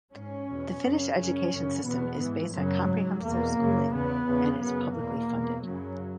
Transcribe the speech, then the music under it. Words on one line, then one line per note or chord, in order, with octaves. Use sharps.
The Finnish education system is based on comprehensive schooling and is publicly funded.
G#2 C#4
E2 B2
F#2 C#3
F#2 C#3 C#4
F#2 C#3
E2 B2 B3
G#2 E3
F#2 C#3 F#3
G#2
E2 B2 A#3
F#2 C#3
E2 C#3 B3
E2 C#3
F#2 C#3 B3
E2 B2 A#3
E2 B2
F#2 C#3 F#3